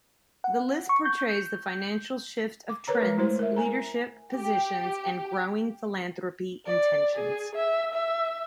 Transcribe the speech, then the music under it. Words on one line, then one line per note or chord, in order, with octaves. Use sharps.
The list portrays the financial shift of trends, leadership positions, and growing philanthropy intentions.
F#5
C#6
G6
D6
A#4 B4 C#5 A#5
G#3
A3 E4 C5
A#4 E5
A#4 G#5 A#5
G4
D5
G#4
E5
E5